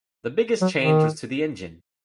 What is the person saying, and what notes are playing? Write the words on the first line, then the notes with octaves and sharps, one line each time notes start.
The biggest change was to the engine.
F#3
D#3